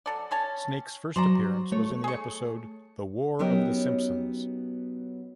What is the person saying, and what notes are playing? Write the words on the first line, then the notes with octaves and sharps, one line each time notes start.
Snake's first appearance was in the episode "The War of the Simpsons".
F#3 A4 D5
C#4 C#5 A5
F#3 C5 D5 A#5
A3 C#5
G#4 C#6
F#3 B3 C#4 D#4 G4 A#4